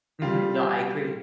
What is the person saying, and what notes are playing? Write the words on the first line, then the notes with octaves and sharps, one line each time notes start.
Mhm. No, I agree.
G3 F4